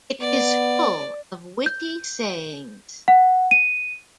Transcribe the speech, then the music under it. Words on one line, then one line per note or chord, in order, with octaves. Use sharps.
It is full of witty sayings.
B3 D5
G6
F#5
D#7